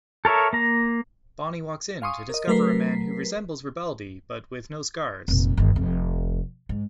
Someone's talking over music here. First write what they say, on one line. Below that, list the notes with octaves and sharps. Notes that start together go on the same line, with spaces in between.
Bonnie walks in to discover a man who resembles Ribaldi, but with no scars.
A4 A#4 C#5 E5
A#3 A#5
F5 G#5 C6 C#6 D#6
A#4 D#5
F#3 A3 A#4 B4 B6 C7
F1 A#2
G1 D#3
F1 F2
G#2